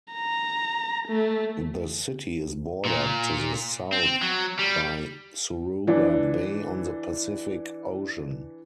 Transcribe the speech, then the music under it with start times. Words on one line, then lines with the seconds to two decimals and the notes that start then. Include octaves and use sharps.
The city is bordered to the south by Suruga Bay on the Pacific Ocean.
0.13 A#5
1.08 A3
2.85 A#2
3.93 C4
4.23 F#3
4.59 G3
5.87 E3 D4